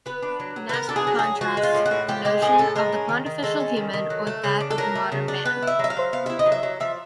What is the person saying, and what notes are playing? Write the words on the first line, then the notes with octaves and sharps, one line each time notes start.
Nasr contrasts the notion of the pontifical human with that of the modern man.
B3 B4
D4
F#3
F#3
B4
B3 A#4
D4 A4
G#4
F#3
G#4
F#3
F3 F#4
G#3
F4
A2
F#4
A2
F3 G4
G#3 G4
A2 G#4
A2 A4
G#3 A#4
C#4
D#3
D#3
G#3 A4
C#4
D#3
D#3
F#3
A3
C#3
D4
A4
F#3 A#4
A3
C#3
D4
B3 B4
E4 E5
F#3 E5
F5
F#3
B3 F5
E4 E5
D#5
F#3
E5
F#3
F3 E5